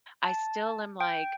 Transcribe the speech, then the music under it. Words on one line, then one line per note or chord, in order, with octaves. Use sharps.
I still am, like,
A5
G5